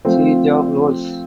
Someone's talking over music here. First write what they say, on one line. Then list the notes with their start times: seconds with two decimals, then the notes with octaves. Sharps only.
Siege of Rhodes.
0.05 F3 A3 C4